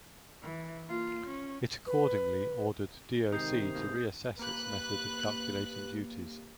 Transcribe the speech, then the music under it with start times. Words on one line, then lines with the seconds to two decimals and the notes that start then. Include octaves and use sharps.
It accordingly ordered DoC to reassess its method of calculating duties.
0.43 E3
0.87 A#3 F4
1.24 C#4
1.87 B4
3.32 C3 D#3 G#3 D#4 D#6 G6 C7
3.75 G#2 B2 A#3
4.39 A#3 G4 B4 F#6